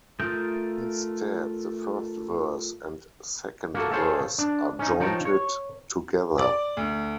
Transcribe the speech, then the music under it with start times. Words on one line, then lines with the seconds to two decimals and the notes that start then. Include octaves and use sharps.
Instead, the first verse and second verse are jointed together.
0.20 A3 F4 A#4 D#6 G6
3.74 A#3 F#4 A4
3.92 G#4 A4 C5 C#5 F5 A5
4.38 D4
4.79 C#4 D#4
5.00 F3 D#4 C#5 G5 A5 A#5
5.25 C#5
6.38 D5
6.77 D2